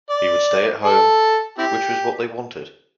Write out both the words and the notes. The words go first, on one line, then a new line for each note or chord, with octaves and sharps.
He would stay at home, which was what they wanted.
D5
A4
C4 E4 G4